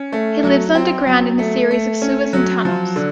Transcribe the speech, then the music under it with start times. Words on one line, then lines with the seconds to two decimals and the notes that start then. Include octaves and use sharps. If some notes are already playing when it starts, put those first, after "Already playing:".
He lives underground in a series of sewers and tunnels.
Already playing: C#4
0.12 A3
0.44 F#3
0.75 C4
1.07 F#3
1.39 A3
1.71 A3
2.02 C#4
2.33 F#3
2.65 F3
2.96 D3